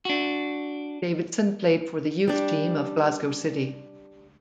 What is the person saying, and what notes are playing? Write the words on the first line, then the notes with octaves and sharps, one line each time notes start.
Davidson played for the youth team of Glasgow City.
D4 F#4
G3 D4